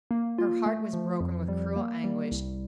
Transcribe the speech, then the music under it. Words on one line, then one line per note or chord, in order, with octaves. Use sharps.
Her heart was broken with cruel anguish.
A#3
F4
A3
F3
F2
G3
A#3
G3
C2